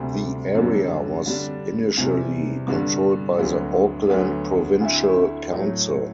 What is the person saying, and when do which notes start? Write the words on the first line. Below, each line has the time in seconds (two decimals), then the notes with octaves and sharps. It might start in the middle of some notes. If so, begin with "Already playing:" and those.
The area was initially controlled by the Auckland Provincial Council.
Already playing: D2 C3 G3
0.55 F#2 D3 G3
1.26 D3 G3 D4
1.97 E2 C3 G3
2.68 G2 D3 G3 B3 D4
3.38 D2 D3 F#3 B3 F#4
4.09 D2 D3 F#3 B3
4.80 D2 D3 A3 E4
5.52 A2 F#3 A3